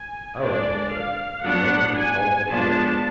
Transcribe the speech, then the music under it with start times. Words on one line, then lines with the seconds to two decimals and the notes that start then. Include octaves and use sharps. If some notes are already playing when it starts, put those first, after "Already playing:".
"Hours ago, sir--when you went into Toller's cottage."
Already playing: G#5
0.37 G#3 D4 D5
0.90 F5
1.42 F#3 B3 D4 F#5
1.95 G#5
2.47 F3 G#3 B3 D4 A5